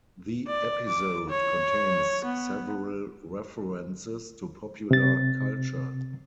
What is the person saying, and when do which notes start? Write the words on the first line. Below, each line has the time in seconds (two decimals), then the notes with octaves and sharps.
The episode contains several references to popular culture.
0.47 D5
0.88 D6
1.29 C#5
2.25 B3
4.91 C3 A6